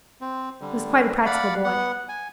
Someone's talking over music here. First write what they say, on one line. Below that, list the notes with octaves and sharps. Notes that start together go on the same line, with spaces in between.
He was quite a practical boy.
C4
D3 G3
D5 F5 F#5 B5
B3 F#5
G#5